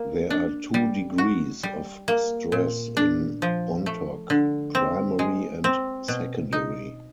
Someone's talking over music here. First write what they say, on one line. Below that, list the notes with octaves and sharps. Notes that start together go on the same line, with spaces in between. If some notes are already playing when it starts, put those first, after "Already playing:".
There are two degrees of stress in Bontoc: primary and secondary.
Already playing: A#3
D4
G3
F#4
G3
A#3
A#2
D4
F3
A3
D3
C4
G#3
C4
B2
D#4